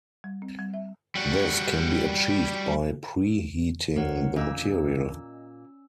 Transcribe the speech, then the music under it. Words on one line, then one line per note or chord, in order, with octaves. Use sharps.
This can be achieved by preheating the material.
G3
C4
G3
E5
G3 F#4
E2 D3 A3 A#4 C#5 F#5
A#2 C#4 D#5 A#5 E6